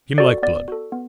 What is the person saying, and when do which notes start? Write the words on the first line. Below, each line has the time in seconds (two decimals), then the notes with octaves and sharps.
Heem like blood.
0.18 F#4 A4 D5
0.43 B3 D5
0.68 F#4 A4
0.92 B3